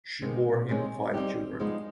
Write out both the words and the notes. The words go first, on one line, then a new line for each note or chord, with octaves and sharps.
She bore him five children.
C3 D#3 G#3 B3
C3 D#3 G#3 C#4
G3 C4 D#4 G4
F3 G#3 B3 D#4